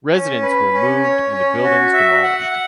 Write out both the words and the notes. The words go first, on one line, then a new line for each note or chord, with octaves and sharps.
Residents were moved and the buildings demolished.
C#4
B4
C#4
C#5
C#4
F#4
E5
F#5